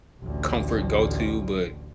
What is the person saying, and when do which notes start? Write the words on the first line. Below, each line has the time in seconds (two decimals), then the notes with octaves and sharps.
comfort go to, but
0.22 A1 D2